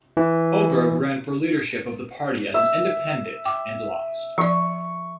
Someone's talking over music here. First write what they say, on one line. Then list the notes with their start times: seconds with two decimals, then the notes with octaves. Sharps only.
Oberg ran for leadership of the party as an Independent and lost.
0.17 E3
2.54 E5
3.45 G5 D6
4.38 F3 D5 C#6